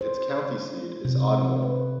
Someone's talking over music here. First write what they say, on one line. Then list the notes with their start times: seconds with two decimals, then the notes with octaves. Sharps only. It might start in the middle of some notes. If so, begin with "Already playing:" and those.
Its county seat is Ardmore.
0.01 C5
1.05 C3
1.63 B4